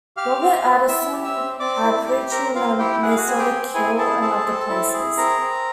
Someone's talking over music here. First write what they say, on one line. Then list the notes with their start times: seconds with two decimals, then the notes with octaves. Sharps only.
Robert Addison had preached in the Masonic Hall and other places.
0.17 G4 F5 F6
0.41 C4
0.65 C4
0.88 E4 E5 E6
1.13 G4
1.24 E5 E6
1.36 C4
1.60 C4 D5 D6
1.84 E4
2.08 G4
2.31 C4 A#4 A#5
2.55 C4 F4 F5
2.79 E4 G4 G5
3.03 G#4 F#5
3.10 F5
3.17 F#4 F#5
3.27 C4 G#5
3.39 G4 G5
3.51 C4
3.74 E4 G#4 G#5
3.98 G#4 A4 A5
4.22 C4 A4 A5
4.46 C4
4.70 E4
4.94 G#4
5.17 C4 A#4 A#5
5.41 C4